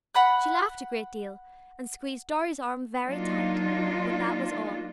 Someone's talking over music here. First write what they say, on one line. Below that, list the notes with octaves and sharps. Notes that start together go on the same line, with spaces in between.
She laughed a great deal, and squeezed Dorry's arm very tight, but that was all.
F#5 B5 F#6
F#3 A#3 D4 D#4 F4